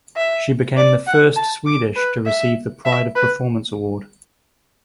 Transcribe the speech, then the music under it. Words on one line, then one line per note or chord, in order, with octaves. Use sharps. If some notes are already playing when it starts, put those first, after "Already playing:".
She became the first Swedish to receive the Pride of Performance award.
E5
D5
F#5
A5
D6
B4
E5
E5
B4